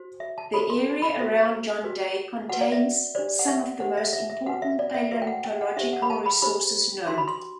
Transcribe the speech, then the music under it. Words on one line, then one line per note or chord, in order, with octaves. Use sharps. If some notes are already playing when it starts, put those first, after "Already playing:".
The area around John Day contains some of the most important paleontological resources known.
Already playing: F#4 C5
E5
A5
F#4 A4 C5 B5
C6
B5
F#4 A4 C5 E5
F#4 B4
F#4 B4 F#5
D5
E5
D4 G4 C5 D5
F#5
E5
D4 G4 C5 F#5
E5
E5
E5
F#4 B4 F#5
E5
D5
E5
F#4 B4 E5
G5
F#5
G5
F#5
D4 G4 C5 E5
F#5
B5
A5
B5
D4 G4 C5 B5
D4 F#4 B4 C6
B5
C6